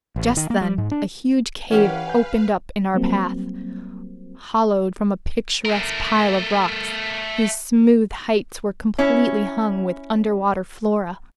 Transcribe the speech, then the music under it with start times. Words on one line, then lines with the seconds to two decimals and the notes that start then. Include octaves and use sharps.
Just then a huge cave opened up in our path, hollowed from a picturesque pile of rocks whose smooth heights were completely hung with underwater flora.
0.16 A1
0.37 D#3
0.50 A#3
0.61 G3
0.78 G#2
0.91 D4
1.71 E3 C#4 G4 A#4 B4 F5 F#5
2.07 G#5 G6
2.94 F#3 G3 A#3 C4
5.65 A3 A#4
8.98 C#4 E4